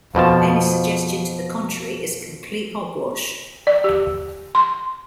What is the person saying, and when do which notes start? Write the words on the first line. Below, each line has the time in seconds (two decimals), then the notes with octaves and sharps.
Any suggestion to the contrary is complete hogwash.
0.15 F2 B2 F3 A5
3.67 D5
3.84 G4
4.55 C6